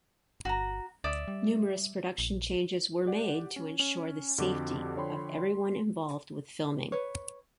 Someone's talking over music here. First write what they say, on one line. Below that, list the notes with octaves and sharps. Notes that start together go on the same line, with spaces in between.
Numerous production changes were made to ensure the safety of everyone involved with filming.
G1 F#4 A#5
D2 D5 E5 D#6
G3
A#1
G4 D5 F#5
C#4
C#4
F2 D3 F#4 G4 D6
D3 F3 C#5 G5 B5 C6
C6
B4 C#5